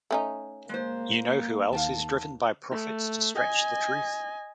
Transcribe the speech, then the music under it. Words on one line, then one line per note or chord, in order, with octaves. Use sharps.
You know who else is driven by profits to stretch the truth?
A3 C#4 D#4
G#3 A#3 C5
D#2 F5 G5 A5
A3
D#5 G#5